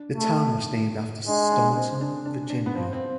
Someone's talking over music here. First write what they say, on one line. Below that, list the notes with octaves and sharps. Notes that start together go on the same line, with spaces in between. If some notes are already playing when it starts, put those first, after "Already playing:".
The town was named after Staunton, Virginia.
Already playing: D4
A3
G#3 D4
D4
C4
D4
D4
D4
B3
F3 C4
C4